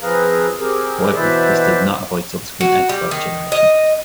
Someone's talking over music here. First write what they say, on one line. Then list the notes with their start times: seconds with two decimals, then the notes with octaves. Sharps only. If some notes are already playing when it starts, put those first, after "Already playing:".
However, this does not avoid subsequent antibody generation.
0.01 F3 C4 G#4 B4 F5 A#5
0.59 C4 G4 G#4 A#4
1.15 B2 E3 B4 C5 D5 E5
2.61 F#4
2.89 G3
3.11 D#3
3.52 D#5